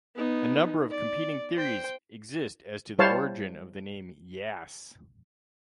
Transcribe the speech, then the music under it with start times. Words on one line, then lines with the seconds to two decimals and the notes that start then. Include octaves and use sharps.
A number of competing theories exist as to the origin of the name "Yass".
0.15 B3 D#4
0.90 D5
1.56 C5 G5
2.99 G3 E4 C5 C#5 F5 A5